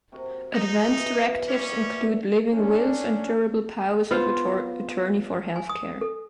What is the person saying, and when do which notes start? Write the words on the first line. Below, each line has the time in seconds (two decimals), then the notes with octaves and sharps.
Advance directives include living wills and durable powers of attorney for health care.
0.12 C3 F#4 A#4
0.53 G#3 D#4
0.86 B2 E3 G#3
1.47 A#2 G3 B3 C#4
1.82 E5 F#5 G#5
2.55 C#4 D4
4.11 B3 F4 C5 F5
5.56 G#5
5.69 D#6
6.01 A4